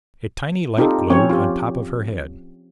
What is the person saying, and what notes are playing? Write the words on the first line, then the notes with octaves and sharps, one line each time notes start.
A tiny light glowed on top of her head.
C4 D#4 F4 G4 A4
F3 C4 C#4 C#5
F4 G4